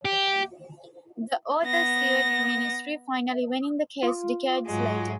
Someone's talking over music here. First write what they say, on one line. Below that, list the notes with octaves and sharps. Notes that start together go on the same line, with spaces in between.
The author sued the Ministry, finally winning the case decades later.
G4
B3 A#6
F4
G#2 F#3 G#3